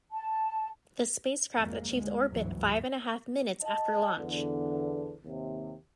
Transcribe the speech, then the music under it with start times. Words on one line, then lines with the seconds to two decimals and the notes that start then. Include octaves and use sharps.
The spacecraft achieved orbit five and a half minutes after launch.
0.11 A5
1.56 G#1 F2 G#3 A#3
1.89 D2 G#3
2.30 G1 D2 G#2 E3 F#3
3.62 D#5 A5
4.17 E2 D3
5.24 D#2 C3